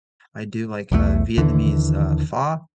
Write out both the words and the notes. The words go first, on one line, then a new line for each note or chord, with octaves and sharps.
I do, like, uh, Vietnamese, uh, pho,
B1 E2 F3 A3
D#2 D3 E3